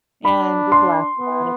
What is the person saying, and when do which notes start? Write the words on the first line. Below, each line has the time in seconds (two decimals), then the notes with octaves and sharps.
and just laugh about it.
0.25 D4 B5
0.72 C6
1.19 B3